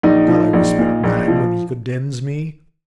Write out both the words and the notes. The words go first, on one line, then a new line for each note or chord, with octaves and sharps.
Shall I respect man when he condemns me?
A#1 D#4
F3
A#1
A#2
A#1
F3